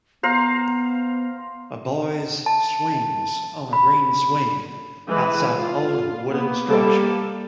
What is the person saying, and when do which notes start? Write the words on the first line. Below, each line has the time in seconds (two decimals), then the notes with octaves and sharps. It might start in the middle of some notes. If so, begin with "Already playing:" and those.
A boys swings on a green swing outside a old wooden structure.
0.23 B3 C5 F5 A#5
2.46 A5
3.73 B5
5.07 E3 G#3 B4
5.57 F4
6.27 A#3 B3
6.67 G3 A#3 A4